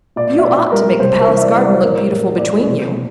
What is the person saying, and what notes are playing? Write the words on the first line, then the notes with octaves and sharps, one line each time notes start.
"You ought to make the Palace garden look beautiful between you."
A#2 D5
E5
A#2 D5
G3 A#4
C3 C5
A#4
E3
E5
D5
G3
D5
C5
A2 A#4
A2 A#4
A2 D5
C3
C3